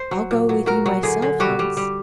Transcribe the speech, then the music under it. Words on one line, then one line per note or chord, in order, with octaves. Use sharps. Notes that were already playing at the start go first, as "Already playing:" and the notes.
'I'll go with you myself, Hans.'
Already playing: C5
F#3
A#2
F#3
F#3 A#4
F#3
D3 G#4
D3
G3 F#4
G3
G3